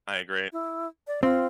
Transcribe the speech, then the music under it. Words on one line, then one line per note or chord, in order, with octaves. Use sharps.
I agree.
E4
D5
C4 F4